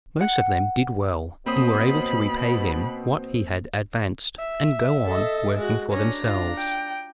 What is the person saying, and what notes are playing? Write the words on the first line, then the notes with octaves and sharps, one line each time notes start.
Most of them did well, and were able to repay him what he had advanced, and go on working for themselves.
F#5
B2 A#3 C4 C#4 A#4 C5 B5 D#6
E5
A4 D#5
G#3 F#4
C#4 D4 A#5
F4
G5